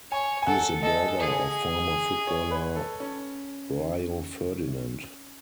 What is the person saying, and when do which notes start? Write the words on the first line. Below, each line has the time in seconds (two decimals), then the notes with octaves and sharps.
He is the brother of former footballer Rio Ferdinand.
0.12 C#5 G#5
0.42 G#5
0.47 A4 F#5
0.83 A4 D#5
1.20 G#4
2.27 C#5
2.51 B4
2.76 A4
3.00 C#4